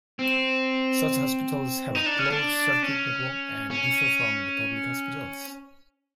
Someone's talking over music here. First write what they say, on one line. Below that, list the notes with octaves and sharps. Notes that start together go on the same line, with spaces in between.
Such hospitals have a closed circuit network and differ from the public hospitals.
C4
D#4
D4
C#4
D4
C#4
C#4